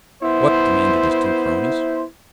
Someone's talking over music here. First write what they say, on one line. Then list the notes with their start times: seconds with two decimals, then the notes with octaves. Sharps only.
"What?" demanded his two cronies.
0.23 B3 E4 C5